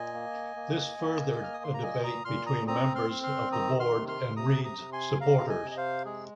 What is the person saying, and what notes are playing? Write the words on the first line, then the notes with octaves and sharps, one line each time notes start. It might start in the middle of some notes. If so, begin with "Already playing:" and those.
This furthered a debate between members of the board and Reed's supporters.
Already playing: A#2 D#5 G#5
A#3
A#3
A#3
A#3 F6
D#6
C6
A#5
A#2 D#5 G#5
A#5 D#6
A#2 C6 F6
A#5 D#6
C4 A#5 D#6
C6 F6
C4
C6 F6
D#3 A#5 D#6
C6 F6
C3
C6 F6
C3 A#5 D#6
A#5 D#6
C3
G#5 C6
C3 F5 A#5
A#5
D#5 G#5
C3
D#5
C5 F5
G#3 G#4